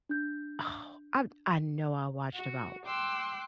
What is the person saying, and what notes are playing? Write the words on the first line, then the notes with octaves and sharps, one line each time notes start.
Oh, I I know I watched about
D4 G6
F#4
G5 C6 D6 E6 F#6